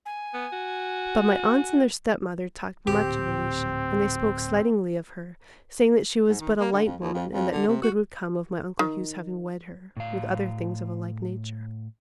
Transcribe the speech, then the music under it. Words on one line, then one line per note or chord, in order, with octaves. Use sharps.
But my aunts and their stepmother talked much of Alicia, and they spoke slightingly of her, saying that she was but a light woman and that no good would come of my Uncle Hugh's having wed her, with other things of a like nature.
G#5
B3
F#4
D1 A#2 C4 G4
G#2
D#3
A#3
D3
F2
D#2
F2
F2
D3
C3
F#4
D#3
A2 F5